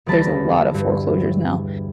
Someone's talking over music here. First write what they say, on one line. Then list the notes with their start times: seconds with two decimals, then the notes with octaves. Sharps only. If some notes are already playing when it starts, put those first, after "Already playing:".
there's a lot of foreclosures now,
0.06 E1 D2 G3 A5 B5 A#6
0.74 G2